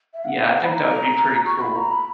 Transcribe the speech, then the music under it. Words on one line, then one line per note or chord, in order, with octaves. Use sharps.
Yeah, I think that would be pretty cool.
E5
F#5
E5
F#5
B5
A#5
C#6
B5
A#5
B5